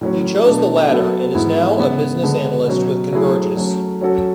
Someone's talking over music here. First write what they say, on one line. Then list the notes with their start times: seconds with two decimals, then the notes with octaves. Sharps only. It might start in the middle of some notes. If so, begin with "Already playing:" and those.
He chose the latter, and is now a business analyst with Convergys.
0.01 A2 F#3 C#4
0.45 B2 A3 D4
0.90 F#3 B3 F#4 A4
1.34 G#2 E3 B3 E4 G#4
1.79 C#3 G#3 B3
2.23 D3 G#3 B3 D4
2.68 B2 F#3 C#4
3.13 F#3 A3 E4 G#4
3.57 F#3 A3 C#4
4.01 F#3 C#4 F#4 A4